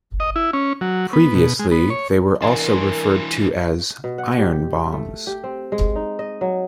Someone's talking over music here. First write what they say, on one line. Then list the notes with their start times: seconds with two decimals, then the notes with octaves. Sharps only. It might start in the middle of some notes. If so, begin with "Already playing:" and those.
Previously, they were also referred to as 'iron bombs'.
0.20 D#5
0.36 E4
0.53 C#4
0.81 F#3
1.13 B3
1.35 B2
1.59 G#3
1.71 B3
1.90 C#5
2.42 E3 D4 A#4 G#5 C6
4.04 B2
4.18 F#5
4.38 G4
4.92 A3
5.27 G4
5.43 C4
5.72 G#3
5.96 D#4
6.19 D#5
6.41 F#3